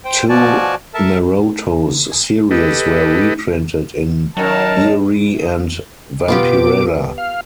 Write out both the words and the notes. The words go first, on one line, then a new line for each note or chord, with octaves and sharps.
Two Maroto's series were reprinted in "Eerie" and "Vampirella".
C5 G5
B2 F3 F#4 D5 G#5 A5
A4 A#4 E5 A5
G4 A4 B4 D#5
F#2 D#3 F#3 A#4 A5
B2 B3 F4 G4 D6
F5